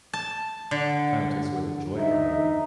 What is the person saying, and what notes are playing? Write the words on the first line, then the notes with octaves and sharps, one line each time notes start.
kinda takes away the joy from it, you know?
A5
D3 F#5
D#4 E5